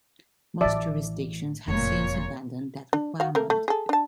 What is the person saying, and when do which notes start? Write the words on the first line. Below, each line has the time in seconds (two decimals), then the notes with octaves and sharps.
Most jurisdictions have since abandoned that requirement.
0.61 A1 A2 E3 D5 E5 A5
1.68 F#1 F2 A#2 C#5
2.93 D4
3.20 F#4 F5
3.35 A3 A#3 A#4
3.50 A3
3.68 G#4 A4
3.89 D4 A5